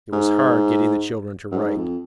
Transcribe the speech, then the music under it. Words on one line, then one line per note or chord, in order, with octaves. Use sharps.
It was hard getting the children to write.
G#2
F#2
G#2
F2